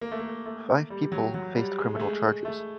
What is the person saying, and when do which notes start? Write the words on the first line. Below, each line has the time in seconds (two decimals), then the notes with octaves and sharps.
Five people faced criminal charges.
0.01 A#3
0.11 A3
0.19 A#3
0.46 A3
0.90 G3
1.12 F#3
1.34 F#3
1.56 G3
1.79 G#3
1.95 A3
2.00 G#3
2.45 A3